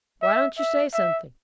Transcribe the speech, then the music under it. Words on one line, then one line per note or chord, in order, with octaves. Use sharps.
"Why don't you say something?"
E5
E5
E5